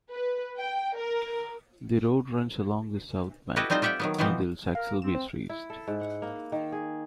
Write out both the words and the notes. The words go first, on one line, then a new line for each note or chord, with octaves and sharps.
The road runs along the south bank, until Saxilby is reached.
B4
G5
A#4
E4 F#4 G4 A4 B4 D#5
G3 C4 D#4 F4 C5
F4 G4 E5 F#5 G5
D#3 F#3 B3
B2 E3 F3 B3 C4
A#4 F5
C4 E7
C5
E4
A4
G#2
F#5
A#3
D#3
G#4